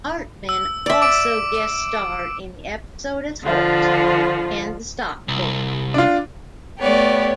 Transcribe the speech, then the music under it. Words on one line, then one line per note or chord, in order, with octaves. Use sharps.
Hartman also guest-starred in the episode as Horst and the stockbroker.
E6
D5 E5
D6 D7
D3 F3 F4
C2
D4 F4
A3 B3 G4 C#5 D5